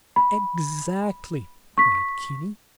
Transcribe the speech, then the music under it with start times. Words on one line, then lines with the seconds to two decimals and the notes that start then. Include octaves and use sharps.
"Exactly!" cried Kinney.
0.16 B5
1.78 C#6 B6